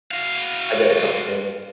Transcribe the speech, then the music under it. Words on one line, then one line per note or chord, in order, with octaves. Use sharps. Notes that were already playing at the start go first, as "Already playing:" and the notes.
I've got a couple of paintings,
F#4 F5